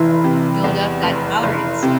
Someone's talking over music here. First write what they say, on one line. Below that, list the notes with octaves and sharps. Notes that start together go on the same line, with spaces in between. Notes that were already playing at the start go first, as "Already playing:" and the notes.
Build up that tolerance.
Already playing: F1 E3 E4
C3
E2
F1
F1
C3